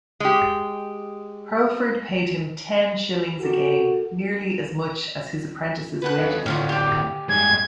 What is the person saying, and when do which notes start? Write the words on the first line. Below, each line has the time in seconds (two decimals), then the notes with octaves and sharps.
Hurlford paid him ten shillings a game, nearly as much as his apprentice's wages.
0.20 G#3 G4
3.41 F#4 G4 A4 A#4
6.02 B4 F#5 F#6
6.19 A4 D#5
6.46 A2 D3 C#4 E4 F4
6.69 G4 D6
7.29 G2 G#3 G#6